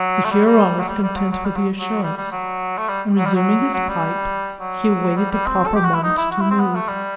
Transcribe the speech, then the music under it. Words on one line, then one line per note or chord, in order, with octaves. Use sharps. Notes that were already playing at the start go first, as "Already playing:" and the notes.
The Huron was content with the assurance, and, resuming his pipe, he awaited the proper moment to move.
Already playing: F#3
A3
G3
G3
F#3
G3
G3
F#3
F#3
G3
F#3
F#3
G3
G3
F#3
A3
G3
F#3
G3
F#3
F#3
G3
F#3
G3
G3
C4
A4
G4
F#4
E4
D#4
E4
F#4
E4
C4
B3
A3
G3